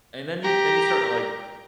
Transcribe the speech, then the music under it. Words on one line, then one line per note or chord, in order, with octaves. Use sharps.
And then you then you start, like,
G4 A#5